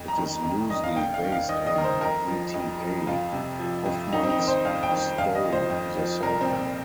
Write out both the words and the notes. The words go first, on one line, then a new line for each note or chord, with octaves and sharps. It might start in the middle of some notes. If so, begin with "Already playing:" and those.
It is loosely based on E. T. A. Hoffmann's story "The Sandman".
Already playing: F2
A#5
D#3
F2
D#3 D#5
F5
D#2 G5
F5
D#3
F5
D#2 D#5
D#5
D#3 A#4
C5
F2 A#4
F3
F2
F3
F2 F4
C3
F3
F2
F2 D#4
C4
D#4
D#3
C5
F2 F5
G5
D#3
F2 F5
D#5
F3
C5
F2
F3
C2 A#4
C4
A#2